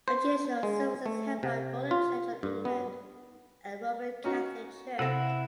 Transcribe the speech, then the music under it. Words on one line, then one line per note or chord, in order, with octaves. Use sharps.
Occasional services held by both the Church of England and Roman Catholic Church.
C5
G#3
A3
C3
F4
G2
B3
C#4 D#4 F#4
C3 C4 E4 A4 F#5 A#6